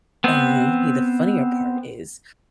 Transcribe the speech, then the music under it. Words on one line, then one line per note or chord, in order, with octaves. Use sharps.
Um, he the funnier part is
B3 C4